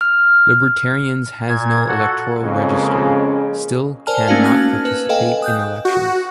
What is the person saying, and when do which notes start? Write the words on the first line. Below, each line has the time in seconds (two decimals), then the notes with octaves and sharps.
Libertarians has no electoral register, still can not participate in elections.
0.01 F6
1.49 A#2 G#6
1.89 F#4 A4 F#5
2.42 F2 C#3 G#3 A#3 C#4
4.07 A#4 C5 D5 G#5 A5 F6
4.28 A3 A#3 C#4 D#4 F#4 F5
4.44 A5 F6 F#6 G#6
4.85 B4
5.09 A4 B4 D#5 F5 G5 G#5
5.42 D#6 F#6 G6
5.85 F#4